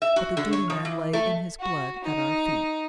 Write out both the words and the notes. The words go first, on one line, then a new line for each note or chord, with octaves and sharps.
But the duty man lay in his blood at our feet.
E5
F#4
D3
C#5
F3
E3
A3
F#4
D#4